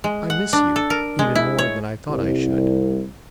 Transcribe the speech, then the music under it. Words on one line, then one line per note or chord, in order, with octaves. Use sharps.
I miss you--even more than I thought I should.
G#3
F#5
D4
A4
A#4
G#3
E4
C#5
C2